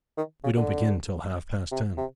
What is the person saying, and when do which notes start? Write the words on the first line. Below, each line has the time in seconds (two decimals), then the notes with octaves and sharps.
We don't begin till half past ten.'
0.17 D#3
0.44 C#3
0.57 D3
1.71 C3
1.97 C3